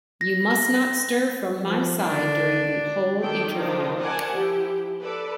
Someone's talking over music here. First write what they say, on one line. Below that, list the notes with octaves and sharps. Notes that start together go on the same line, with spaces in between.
You must not stir from my side during the whole interview.
A#6
F3
D3 D4
D#3 G4 A4 D5 G5
D#3 F3 D4 D#4 F4
A#4 C5 D5 F#5 G#5 A5
F3 E4 G4
A4 B4 D5